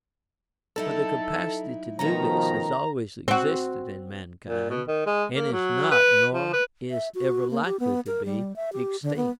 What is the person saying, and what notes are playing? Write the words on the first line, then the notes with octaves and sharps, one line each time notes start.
But the capacity to do this has always existed in mankind, and is not, nor is ever likely to be, extinct.
F#3 D#4 E4 A4
B2 D#3 F3 A3 C#4 B4 A#5
C4 F#4
A#2
B2
D#3
G#3
A#3
F#3
B4
F3
B4
E5
F#4
A#3
G4
B3
A#4
G3
E5
G4
D3
B3